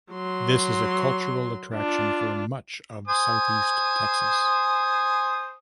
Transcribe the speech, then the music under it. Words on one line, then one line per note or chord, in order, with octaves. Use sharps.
This is a cultural attraction for much of Southeast Texas.
F#3 C6
D4 F4
C5 G#5 D#6